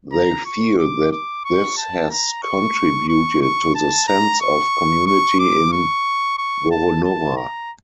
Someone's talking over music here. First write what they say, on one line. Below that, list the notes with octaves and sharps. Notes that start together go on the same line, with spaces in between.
They feel that this has contributed to the sense of community in Woronora.
A#5
C#6
D6
D6
C#6
A5
A#5
C#6
C#6
C#6
A5
A#5
C#6
C#6
D6
C#6
C#6
A5
A5
A#5